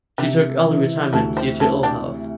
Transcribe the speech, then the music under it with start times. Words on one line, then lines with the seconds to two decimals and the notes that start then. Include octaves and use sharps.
She took early retirement due to ill health.
0.18 C3 D4 G4
0.65 E3
1.13 D2 E4 A4
1.37 G4 C5
1.60 D2 E4 A4
1.83 D4 G4